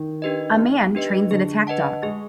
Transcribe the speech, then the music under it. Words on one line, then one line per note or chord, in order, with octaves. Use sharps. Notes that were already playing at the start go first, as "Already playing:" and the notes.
A man trains an attack dog.
Already playing: D#3
D4 G4 B4 D#5
B3
D4 G4 B4 D#5
D3 G#4
B4 D#5 F#5 A5
G#3 G#4